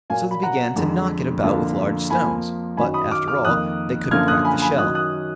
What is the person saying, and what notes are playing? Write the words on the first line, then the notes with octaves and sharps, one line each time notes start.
So they began to knock it about with large stones, but, after all, they couldn't crack the shell.
A#2 F#3 A#3 F5 G#5
B5
F#5 A#5
F2 D3 G#3
F2 D3 F3 A#3
F2 F3 A#3 G#5 B5
F#2 D#3 F#3 G#5 B5
B5 D#6
D6 F6
D6 F6
F2 D#3 A#3 D#6 F#6
F#2 D3 F3 A#3 F6 G#6
D#6 F#6
G#5 B5
G#5 B5
F#2 D#3 F#3 D#6 F#6
D#6 F#6